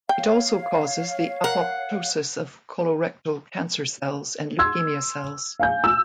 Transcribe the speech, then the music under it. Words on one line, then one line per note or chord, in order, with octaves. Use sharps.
It also causes the apoptosis of colorectal cancer cells and leukemia cells.
C#5 F5 G5
A#4 F#5
C6 E6 G#6
F5 G#5 G6
E6